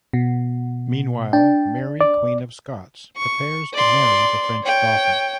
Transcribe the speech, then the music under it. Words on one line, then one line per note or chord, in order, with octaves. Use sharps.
Meanwhile, Mary Queen of Scots prepares to marry the French Dauphin.
B2
D4 G5
D5
C#6
D5 C6
C#5 G5